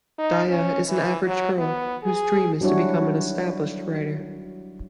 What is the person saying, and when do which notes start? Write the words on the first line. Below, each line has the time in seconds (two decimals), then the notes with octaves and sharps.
Daya is an average girl whose dream is to become an established writer.
0.19 D#4
0.50 C#4
0.87 E3
1.27 F#3
1.59 B3
2.03 G#4
2.61 F#3 G3 D4 E4 F#4 C#5